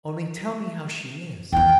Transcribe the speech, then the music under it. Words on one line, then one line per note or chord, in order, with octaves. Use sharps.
Only tell me how she is.
E2 D#3 G5